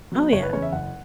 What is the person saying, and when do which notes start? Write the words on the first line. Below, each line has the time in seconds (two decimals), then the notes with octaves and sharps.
Oh yeah.
0.12 F#3 B3
0.32 F#1 C#5
0.42 B4
0.53 E2 C#3 C#5
0.62 E5
0.72 F#1 F#5